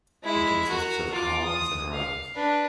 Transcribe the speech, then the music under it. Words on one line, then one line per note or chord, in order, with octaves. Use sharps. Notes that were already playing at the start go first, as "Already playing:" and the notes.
It consists of columns, and rows.
G#3 E4
F#4 A#4
F4 D6
D#6
F5
D4 B4